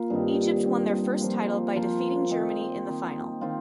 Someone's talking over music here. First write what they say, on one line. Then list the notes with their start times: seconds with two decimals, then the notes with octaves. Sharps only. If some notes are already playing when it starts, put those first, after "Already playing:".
Egypt won their first title by defeating Germany in the final.
Already playing: A#3 F4
0.10 G2 D#3 C4 D#4
0.65 G2 D#3 C4 D#4
1.21 F3 A#3 F4
1.75 F3 A#3 F4
2.31 D#3 C4 D#4
2.87 D#3 C4 D#4
3.41 D#3 C4 F4